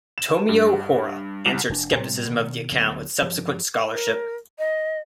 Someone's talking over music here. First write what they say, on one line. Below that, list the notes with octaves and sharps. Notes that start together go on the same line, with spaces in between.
Tomio Hora answered skepticism of the account with subsequent scholarship.
E7
G2
C2
F1 D4
A2 C3 G3 C4
B2 D#3
D2 D3 F#3 B3
G2 F3
A#4
D#5